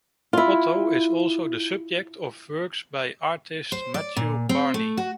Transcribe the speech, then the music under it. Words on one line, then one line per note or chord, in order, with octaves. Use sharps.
Otto is also the subject of works by artist Matthew Barney.
E4 F4
C5
D5
A#2
C4
A3
F#4